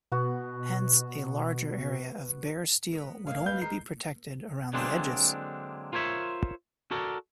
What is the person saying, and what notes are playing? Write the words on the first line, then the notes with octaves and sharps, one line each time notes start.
Hence, a larger area of bare steel would only be protected around the edges.
B2 B3 F#4
B3 A#4
G#3 A#3 F5
B4 G6
G#3 A#4 C7
D3 F#3 G#3 A#3 C4 D4
F4 A#4 C5 C#5 E5
F#4 A4 A#4 D5